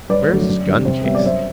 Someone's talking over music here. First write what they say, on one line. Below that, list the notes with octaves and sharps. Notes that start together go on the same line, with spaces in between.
Where is his guncase?
G2 B4 D5
D3 F#3 A3
F#2
D3 G3
C3 C5
G3 B3 E5
D5
F#2 C5 E5